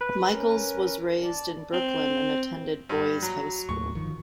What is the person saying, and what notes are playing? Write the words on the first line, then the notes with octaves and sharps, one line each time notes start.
Michaels was raised in Brooklyn and attended Boys High School.
B4
C#4 A#4
D5 A5
C4
G2
F#3
D#2 A2 F#3 C#6
G1 D#3 F3